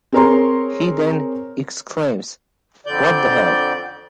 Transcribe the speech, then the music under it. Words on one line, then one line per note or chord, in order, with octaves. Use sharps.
He then exclaims: What the hell?!
C4 G#4 A#4 C#5 A#5 C6
F2 D3 D5 G6